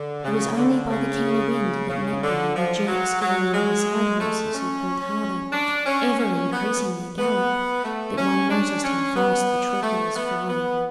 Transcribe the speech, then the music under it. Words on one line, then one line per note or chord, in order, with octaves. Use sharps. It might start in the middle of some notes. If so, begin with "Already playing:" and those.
It was only by the keener wind that met them and the jerks given by the side horses who pulled harder--ever increasing their gallop--that one noticed how fast the troyka was flying.
Already playing: D3
C#3
D3
C#3
C#3
D3
F3
F#3
F#3
G#3
A3
C#4
D4
C#4
C#4
B3
B3
A3
C#4
D4
C#4
B3
A3
B3
B3